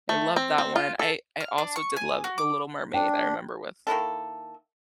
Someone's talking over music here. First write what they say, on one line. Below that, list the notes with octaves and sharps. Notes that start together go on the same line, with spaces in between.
I love that one. I I also did love The Little Mermaid, I remember with
A3
C4
C4
F4
A4
F6
D4
C#6
G#5
F#4
D6
D4 G5
D#3 A#3 E4 A4